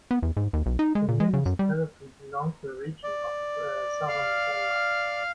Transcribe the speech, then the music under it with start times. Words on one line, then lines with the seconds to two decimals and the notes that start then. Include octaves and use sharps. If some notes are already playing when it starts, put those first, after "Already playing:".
The municipality belong to Region of Southern Denmark.
0.11 B3
0.23 E2
0.37 G#2
0.53 D#2
0.66 B1
0.79 D#4
0.95 G#3
1.08 A#2
1.20 G#3
1.33 C#3
1.46 F#2
1.59 G3
3.04 D5
4.08 F5 F6